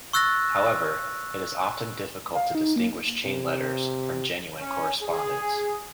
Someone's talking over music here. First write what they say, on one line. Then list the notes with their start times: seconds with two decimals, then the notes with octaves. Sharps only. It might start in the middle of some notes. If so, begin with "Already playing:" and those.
However, it is often difficult to distinguish chain letters from genuine correspondence.
0.13 C#6 E6 F#6 A6 A#6
2.35 F5
2.55 D#4
2.76 A#3
3.26 C3
4.61 C#4
5.03 G#4